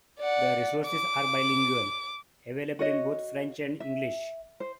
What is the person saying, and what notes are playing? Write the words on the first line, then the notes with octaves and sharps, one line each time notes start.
The resources are bilingual; available in both French and English.
D5 F#5
D6
F#4 C#5 D#5
E5
C5